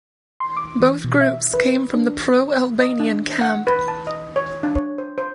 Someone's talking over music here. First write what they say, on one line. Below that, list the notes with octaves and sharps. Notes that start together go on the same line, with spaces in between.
Both groups came from the pro-Albanian camp.
C6
D6
E3
B2
E5
B4
D4
D#5
D4
F#5
B4
A5
D#5
C#5
D4
C#5
C5
C5